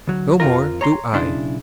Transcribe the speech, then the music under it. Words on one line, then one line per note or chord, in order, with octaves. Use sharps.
"No more do I!"
D2 F#3
F2 F3 F4 A#4
C#5 A#5 C6
B1 C#3 D4 E4 C6